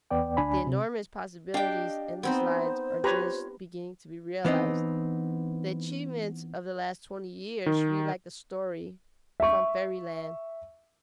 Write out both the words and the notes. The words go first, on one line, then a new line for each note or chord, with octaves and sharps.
The enormous possibilities in these lines are just beginning to be realized. The achievements of the last twenty years read like a story from fairy-land.
E2 B3 D5 G5
D2 D4 G#5 B5
C3
D4 G4 D#5 F5 G5
B3 C4 D#4 C5
F4 G4 B4 C#5 A#5
E3 B3 C4 D#4
D#3
E5 C#6